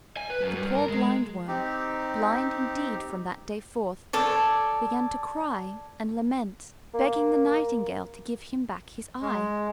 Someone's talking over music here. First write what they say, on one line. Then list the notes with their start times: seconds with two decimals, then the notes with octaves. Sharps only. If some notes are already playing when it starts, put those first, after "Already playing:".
But the poor Blindworm, blind indeed from that day forth, began to cry and lament, begging the Nightingale to give him back his eye.
0.17 G#5
0.30 B4
0.42 F#2
0.55 G2
0.75 A#4
0.89 G#3
1.48 C4 D#4 G4
4.13 A4 C#5 D5
6.94 A#3
9.22 G#3